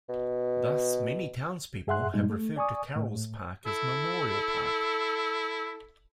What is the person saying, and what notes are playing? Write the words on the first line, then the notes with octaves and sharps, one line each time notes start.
Thus, many townspeople have referred to Carroll's Park as Memorial Park.
B2
G2 G#4 E5 F#5 C6 F#6
G2 A#2 G3 G#3 D#4
A3
D5 G#5 C#6 D#6
A2
E4 A4